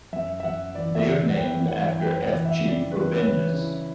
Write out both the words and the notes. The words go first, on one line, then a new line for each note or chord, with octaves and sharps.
They are named after F. G. Frobenius.
F#2 E5
E5
F#2 F#5
E3 D5
E5
E3 F#5
F#5
E3 G5
E3 F#5
F#2 G5
F#5
E3
E5
C#3
D5
E3 B4
C#5
E3 B4
C#3 E4